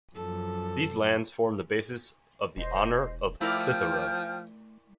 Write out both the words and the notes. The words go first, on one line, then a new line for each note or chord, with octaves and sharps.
These lands formed the basis of the Honour of Clitheroe.
F#2 F3 A4
E1 C5 D#5
F3 A3 E4 A#4 D5 G5 F6 G6